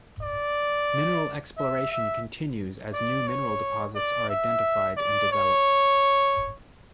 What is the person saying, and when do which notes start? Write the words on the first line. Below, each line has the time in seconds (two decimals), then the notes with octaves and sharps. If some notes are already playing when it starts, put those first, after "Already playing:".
Mineral exploration continues as new mineral deposits are identified and developed.
0.21 D5
1.57 E5
1.91 E5
2.93 D5
3.27 C#5
3.95 D5
4.30 E5
4.97 D5
5.31 C#5